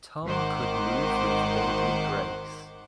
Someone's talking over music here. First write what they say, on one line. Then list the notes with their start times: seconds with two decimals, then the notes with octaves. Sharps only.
Tom could move with lordly grace.
0.25 G#1 D#3 C5 F#5 D6